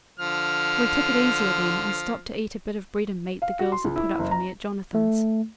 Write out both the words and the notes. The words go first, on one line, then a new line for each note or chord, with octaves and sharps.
We took it easier then, and stopped to eat a bit of bread and meat the girls had put up for me at Jonathan's.
D3 F3 F6
F5
F#4
C6
C#2
E4
F#1
A#5
A3